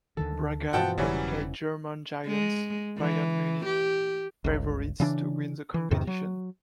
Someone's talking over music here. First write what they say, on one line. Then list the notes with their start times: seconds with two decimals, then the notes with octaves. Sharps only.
Braga then played German giants Bayern Munich, favourites to win the competition.
0.17 D2 D3 D#3 A4
0.73 G2 B2 E3 F3 C4 F#5 G5 A5
0.98 E1 C#3 E3 F#3 G3 B3 C#4 E4
2.27 G#3
2.98 E3
3.65 G4
4.44 G1 C#2
5.00 C#3 E3 D4
5.74 E3
5.91 E2 G#2 C3 D#3
6.07 F#3